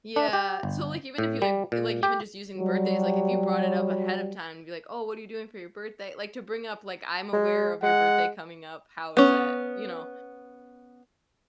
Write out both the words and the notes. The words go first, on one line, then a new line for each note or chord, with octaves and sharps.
Yeah, so, like, even if you, like, like, even just using birthdays, like, if you brought it up ahead of time, and be, like, "Oh, what are you doing for your birthday?" like, to bring up, like, "I'm aware of your birthday coming up, how is that?" you know.
D4
G4
G1
A2
G3
A#2
G4
F#3 G3
G#3
G#3 F#5
B3 C#4